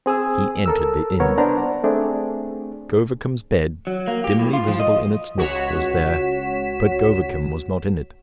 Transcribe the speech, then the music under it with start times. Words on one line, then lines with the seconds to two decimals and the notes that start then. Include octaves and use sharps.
He entered the inn. Govicum's bed, dimly visible in its nook, was there; but Govicum was not in it.
0.06 C4 G#4 D#6 E6
0.66 A4 A#4 E6
1.20 C2 B3 A#4 C#5
1.38 B3 D4 C5 A#5
1.84 A3 C4 D4 G#4
3.87 F#3
4.08 A#3
4.24 G4
4.39 A2
4.53 F4
4.68 F3
4.80 D#5
5.37 C#2 F#4 C#5 B6 E7